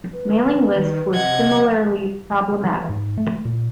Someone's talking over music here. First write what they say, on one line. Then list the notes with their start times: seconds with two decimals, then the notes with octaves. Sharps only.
Mailing lists were similarly problematic.
0.13 B4
0.75 D#3
1.14 C3 D#5 F#5 G#6
2.64 E3
2.89 G#2
3.18 A3
3.45 A#2